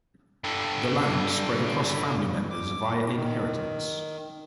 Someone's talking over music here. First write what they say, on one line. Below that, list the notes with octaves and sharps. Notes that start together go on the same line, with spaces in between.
The land spread across family members via inheritance.
G2 D3
D6
D#3